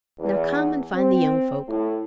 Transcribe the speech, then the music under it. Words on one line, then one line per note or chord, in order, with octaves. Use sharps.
Now, come and find the young folk.
E2
C4
A2